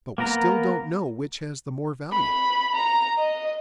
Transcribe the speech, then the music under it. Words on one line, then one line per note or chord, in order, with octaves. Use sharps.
But we still don't know which has the more value.
A#3 B3 A#4 A#5
B5
A#5
D#5